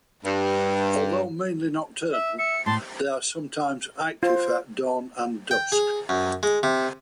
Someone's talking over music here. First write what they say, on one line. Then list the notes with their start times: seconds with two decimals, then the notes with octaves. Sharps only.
Although mainly nocturnal, they are sometimes active at dawn and dusk.
0.24 G2
2.14 E5
2.39 E5 C#7
2.66 A2 A5 C6
4.23 F4 C5
5.51 G5
5.72 G#4
6.09 F#2
6.43 G#3
6.63 C3